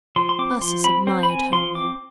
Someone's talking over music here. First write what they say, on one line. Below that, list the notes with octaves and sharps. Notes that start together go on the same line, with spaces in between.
Ursus admired Homo.
F3 C6
C6
C4 D6
F3 C6
C4 B5
C4 C5
B5
C4 G#5
F3 C6
C4 D6